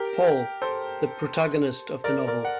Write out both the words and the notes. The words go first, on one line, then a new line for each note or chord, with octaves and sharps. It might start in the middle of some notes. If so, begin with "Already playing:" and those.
Paul: The protagonist of the novel.
Already playing: G4 A#4
A4 C5
A#4 D5
A#4 D5
F#5